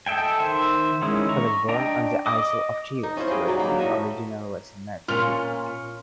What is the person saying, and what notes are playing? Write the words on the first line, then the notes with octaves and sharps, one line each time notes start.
He was born on the isle of Chios, where he originally was a merchant.
A4 D#5 E5 G5 G#5
D#3 C5 E5
D#3 G#3 C#4 E4
A#5 C#6
D4 D#5 G5 A#5
D#5 D6 D#6
D#4
C#4 E4 F4 C5
G4 G#4 D#5 G5
F#3 D#4 B4 D5
A#3
A2 A4 D#5 E5
A#2 C#4 F4 F6